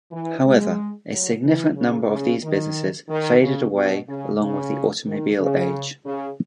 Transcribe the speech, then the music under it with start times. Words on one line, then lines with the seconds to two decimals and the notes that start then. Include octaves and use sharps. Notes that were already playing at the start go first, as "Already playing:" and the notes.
However, a significant number of these businesses faded away along with the automobile age.
0.12 E3
0.45 G#3
1.10 F#3
1.43 E3
1.77 C#3
2.09 C#3
2.43 D#3
3.09 D#3
3.42 C#3
3.75 B2
4.08 C#3
4.41 C#3
5.07 D#3
5.40 C#3
6.05 C#3